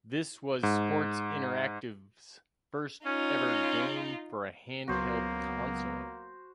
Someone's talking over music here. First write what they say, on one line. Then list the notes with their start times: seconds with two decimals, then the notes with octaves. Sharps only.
This was Sports Interactive's first ever game for a handheld console.
0.63 G#2
3.05 C#4 D#4 F4
4.88 C#2 F#3 A#3 B3 F#4 C5